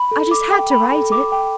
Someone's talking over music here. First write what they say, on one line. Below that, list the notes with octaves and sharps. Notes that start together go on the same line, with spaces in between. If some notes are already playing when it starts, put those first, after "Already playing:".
I just had to write it.
Already playing: B5
A4
D6
G5
B5
A4
D6
G5